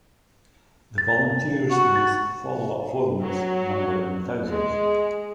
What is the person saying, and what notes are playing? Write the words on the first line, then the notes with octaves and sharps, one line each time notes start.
The volunteers in these "Follow-up Forums" number in the thousands.
A6
F#4
A6
F#3
G#3